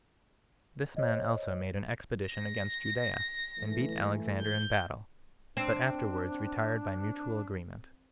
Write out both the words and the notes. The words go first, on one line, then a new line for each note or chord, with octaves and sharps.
This man also made an expedition against Judea, and beat Alexander in battle; but afterwards retired by mutual agreement.
C5 C#5 D#5
A#6
E3 A3
G6
C4 D4